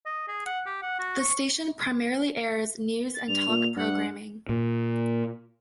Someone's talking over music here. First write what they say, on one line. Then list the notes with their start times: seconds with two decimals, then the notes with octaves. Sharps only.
The station primarily airs news and talk programming.
0.06 D#5
0.28 G#4
0.46 F#5
0.66 G4
0.82 F#5
0.99 F#4
1.19 C#6
3.15 A6
3.28 G2 F7
3.48 A#2
3.77 G2 F#5
4.49 A#2